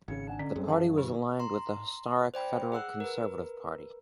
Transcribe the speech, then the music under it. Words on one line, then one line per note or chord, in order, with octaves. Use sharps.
The party was aligned with the historic federal Conservative party.
G#1 C#3 G#6 C#7
D4 F#5 G#5 A5
D3 C#4 D5
F#2 G3 G#3 C4 A4
E3 G#4 E5 F5 A5
D3 D#4 G4 C#6
A#5 C6
C5 D5 G5 B5
G#4 F#5 E6 F#6
A#4 B4